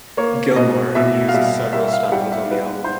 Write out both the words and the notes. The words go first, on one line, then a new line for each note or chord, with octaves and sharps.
Gilmour used several styles on the album.
A#3 C#5
B2 D#5
B2 E5
F5
G3 E5
G3 E5
E5
F5
G3 F#5
E5
G3 B4
C5